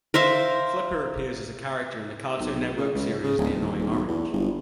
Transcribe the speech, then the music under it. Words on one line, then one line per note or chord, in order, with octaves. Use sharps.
Flipper appears as a character in the Cartoon Network series The Annoying Orange.
A#4 C5 E5 F5
B1
C#3
C#2
C#3
D1
D#1
D#1
B1
E2
G1